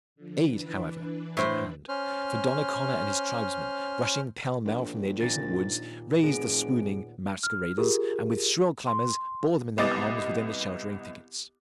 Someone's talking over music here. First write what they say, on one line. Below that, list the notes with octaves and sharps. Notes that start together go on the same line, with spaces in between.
Aid, however, was at hand; for Donnacona and his tribesmen, rushing pell-mell from the adjacent woods, raised the swooning masqueraders, and, with shrill clamors, bore them in their arms within the sheltering thickets.
D3 F3
E3 D4 B4
A2 C5
C#4 C5 F6
A#1
D#1 A#2 A6 A#6
F1 B3 G#4 D7
F6
F4 G4 G#4 A#4
C6
C2 B3 D#5 D6 A6